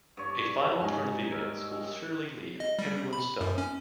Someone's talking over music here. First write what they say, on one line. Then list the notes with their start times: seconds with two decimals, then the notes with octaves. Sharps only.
A final turn of events will surely leave everyone stunned!
0.17 G2 C#5 C#6
0.81 G#2 C#4 D#5 G#5 A#5
1.32 A#4 E6
2.60 D#5
2.79 G3
3.13 B5
3.41 F#2
3.58 C#4